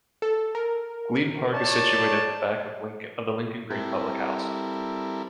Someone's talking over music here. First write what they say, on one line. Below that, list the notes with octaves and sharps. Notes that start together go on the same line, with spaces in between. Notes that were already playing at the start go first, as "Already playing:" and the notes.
Glebe Park is situated at the back of the Lincoln Green public house.
A4
A#4
C#5 D5 A5
G3 C4 E4 A4 A#4